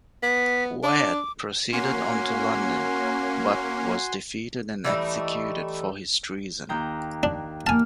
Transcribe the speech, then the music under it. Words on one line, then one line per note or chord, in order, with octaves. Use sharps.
Wyatt proceeded on to London but was defeated and executed for his treason.
B3 B6
D4 D6
A#3 C#4 F#4 G#5 C6
E3 G3 A3 D#4
D#2 G5 A#5
D4
A#3 G#5 A5 F6